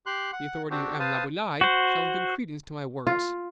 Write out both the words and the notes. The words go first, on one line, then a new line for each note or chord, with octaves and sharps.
The authority of M. Laboulaye shall give credence to my words.
G4 C6 F#6
F#5
C4 D4 F#4 G4
B4 C5 F5 A5 D#6
F#4 C5
F4